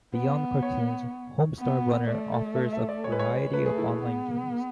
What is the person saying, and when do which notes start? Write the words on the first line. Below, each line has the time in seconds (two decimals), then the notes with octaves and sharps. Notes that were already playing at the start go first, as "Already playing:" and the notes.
Beyond cartoons, "Homestar Runner" offers a variety of online games.
0.14 B3 B4
0.63 C#5
1.59 B3
2.08 A3 D5
2.56 E5
2.73 E5
2.89 D5
3.04 G#3 C#5
3.12 B4
3.19 C#5
3.53 A3 B4
3.66 G#4
3.78 E4
3.90 G#4
4.02 B3